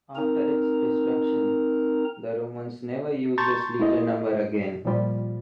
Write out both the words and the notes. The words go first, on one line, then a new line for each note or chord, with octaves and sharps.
After its destruction, the Romans never used this legion number again.
C4 D#4 A#4 A#5
A5 A#5 C6 C#6 G6 A6
A3 E4 F4 G#4 D#5
A#2 F3 G3 F4